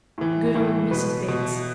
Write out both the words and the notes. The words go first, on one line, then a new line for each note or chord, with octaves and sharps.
Good old Mrs. Bates.
A2 E3
A2 E3
B2 B4
B2